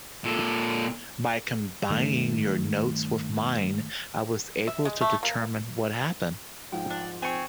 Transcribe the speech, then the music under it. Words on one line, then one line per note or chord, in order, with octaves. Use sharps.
By combining your notes with mine, I was able to determine what happened.
A#2 A4
G2 D#3 A3
E5
G#3
A3
A#3
G#2 F3 G5
D4
C4 G#5 C#6